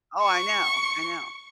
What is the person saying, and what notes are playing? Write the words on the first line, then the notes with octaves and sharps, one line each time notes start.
Oh, I know, I know.
C#6